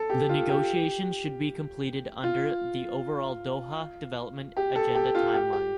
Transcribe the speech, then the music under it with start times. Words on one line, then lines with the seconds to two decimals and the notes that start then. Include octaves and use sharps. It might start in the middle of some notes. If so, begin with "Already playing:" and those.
The negotiations should be completed under the overall Doha Development Agenda timeline.
Already playing: A4
0.10 G4
0.29 F4
0.49 G4
2.23 F4
4.57 G4
4.75 A4
4.95 G4
5.15 F4
5.34 G4
5.53 G4